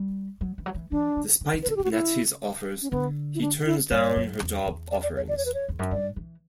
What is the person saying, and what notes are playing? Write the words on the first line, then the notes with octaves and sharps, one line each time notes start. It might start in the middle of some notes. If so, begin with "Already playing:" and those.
Despite Natty's offers, he turns down her job offerings.
Already playing: G3
F#3
E3
F#3
E3
E3 D4
D3
D3
E3
B4
D3 A4
G4
C#3 F#4
E4
C#4
D3 B3
E4
D4
E4
G2 C#5
F#2
E2
E2
D5
D5
C#5
D5
C#5
B4
C#5
E2
F#2
G2 D5
E3